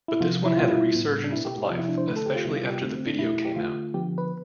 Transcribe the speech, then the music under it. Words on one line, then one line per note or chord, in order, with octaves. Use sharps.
But this one had a resurgence of life, especially after the video came out.
E4
C3 F3 B3 F4
E4
B2 G3 B3 F4
E4
A2 G3 B3
D4
B2 B3 E4
G4
G4
C3 F3 B3 F4
E4
D4
C5
D3 A3 B4
A4
G4
F4
C3 G3 B3 E4
F4
G4
D3 A3 C4
C4
D4
B2 A3 E4
G4
D3 A3 F4
D3 F3 B3 G4
B4